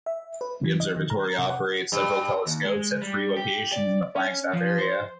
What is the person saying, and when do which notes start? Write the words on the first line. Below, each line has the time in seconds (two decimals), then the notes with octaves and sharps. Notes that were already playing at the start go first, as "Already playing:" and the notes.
The observatory operates several telescopes at three locations in the Flagstaff area.
0.06 E5
0.41 B4
0.64 E3
0.80 D#5
0.97 D#3
1.10 A#5
1.39 C3
1.50 F#5
1.92 G2
2.47 D#2
2.65 G#3
3.02 G3
3.37 G4
3.72 D5
4.16 C#4
4.53 F3
4.78 C5